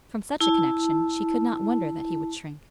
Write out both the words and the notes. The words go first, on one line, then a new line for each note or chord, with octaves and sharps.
From such a connection she could not wonder that he would shrink.
E4 A5